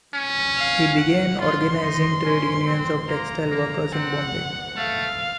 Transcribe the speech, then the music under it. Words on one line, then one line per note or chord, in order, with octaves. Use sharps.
He began organizing trade unions of textile workers in Bombay.
C#4
F5
F#5
F4 C6
D#4
C#4
C4
A#3 A#5
A#3
C4 F#5
A3 F5